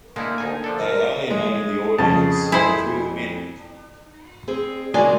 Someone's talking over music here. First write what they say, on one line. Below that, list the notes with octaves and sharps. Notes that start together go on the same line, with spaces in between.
They alienated the audience or drew them in.
D3 G#3 A#3 D#4 E4
D2 D#4 G#5
F3 D4 A4
A#4
G#3 G#4
F2 C#3 A5
E4 C5 G#5
C4 G#4
C#2 G#3 F#4 A#4 D5 G#5